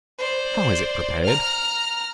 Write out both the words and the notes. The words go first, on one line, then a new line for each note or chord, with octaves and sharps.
How is it prepared?
C5 D5
A#5 F6